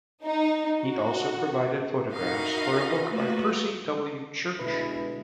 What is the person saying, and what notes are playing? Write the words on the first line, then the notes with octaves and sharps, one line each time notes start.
He also provided photographs for a book by Percy W. Church.
D#4
F#4
D#4 E4 F#4 A#4 D#5 F5
A3 A#3 F4 F#4 B4
B2 D3 G#3 E4 B4